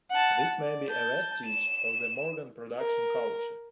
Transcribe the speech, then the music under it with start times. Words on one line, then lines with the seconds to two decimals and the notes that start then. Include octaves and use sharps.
This may be a vestige of the Morgan production culture.
0.11 F#5 A5
0.60 D5
0.89 A5 G6
1.46 E7
2.79 A#4